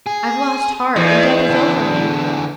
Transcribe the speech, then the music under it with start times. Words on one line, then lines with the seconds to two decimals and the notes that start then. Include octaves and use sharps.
I've lost heart, and death is over me.
0.06 G#4
0.96 E2 D#4
1.50 D3 E3